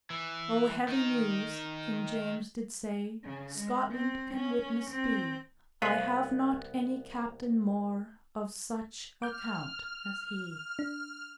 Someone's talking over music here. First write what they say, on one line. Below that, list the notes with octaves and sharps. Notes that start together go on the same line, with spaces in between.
"O heavy newes," King James did say; "Scottland can witnesse bee, I have not any captaine more Of such account as hee."
E3
D#3 D#4
C#3
G#3
C4
C#4
C4
C2 B3 B4 F5
D6 F6 G6
D4